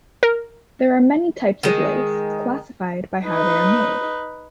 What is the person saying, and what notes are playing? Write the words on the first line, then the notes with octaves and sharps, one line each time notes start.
There are many types of lace, classified by how they are made.
A#4
D#3 G#3
D#4 B4